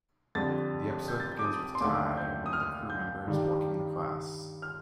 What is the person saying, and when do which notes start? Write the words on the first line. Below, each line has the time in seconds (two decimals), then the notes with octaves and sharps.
The episode begins with Ty, one of the crew members, walking to class.
0.35 F2 D3 G3 A6
1.08 G6
1.20 A6
1.32 G6
1.39 D6
1.44 D#6
1.75 C6
1.81 D#2 D3 A3 D6
2.17 G6
2.46 D#6
2.53 F6
2.90 G6
3.26 G2 D#3 G3
4.62 F6